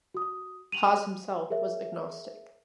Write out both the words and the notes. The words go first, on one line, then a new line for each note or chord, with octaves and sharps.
Has himself was agnostic.
F#4 D#6
D#7 F7 F#7
G#4 A#4 C#5 E5